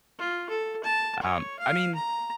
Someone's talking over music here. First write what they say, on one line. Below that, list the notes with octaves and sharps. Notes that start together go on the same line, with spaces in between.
Um, I mean,
F4
A4
A5
C#5
F5
A#5